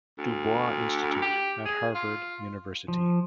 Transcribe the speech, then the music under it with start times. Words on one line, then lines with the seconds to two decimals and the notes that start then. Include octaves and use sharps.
Du Bois Institute at Harvard University.
0.18 D2
1.22 G4
1.65 G#4
1.95 F4
2.88 F3